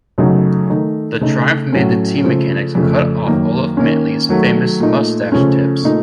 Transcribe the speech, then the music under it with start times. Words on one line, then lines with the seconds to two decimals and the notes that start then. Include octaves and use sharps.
The triumph made the team mechanics cut off Olaf Manthey's famous moustache tips.
0.18 F#2 C#3 F#3 A3 D#4
0.70 D#3 A3 D#4
1.21 C#3 A3 D#4
1.73 A2 F#3 A3 C#4
2.23 C#3 F3 A3
2.75 F2 C#3 A3
3.26 F#2 D#3 A#3
3.77 D#3 A#3 C#4
4.29 D#3 F#3 A3
4.80 A#2 A3 D#4
5.32 C#3 F3 A3 C#4
5.83 A#2 A3 D#4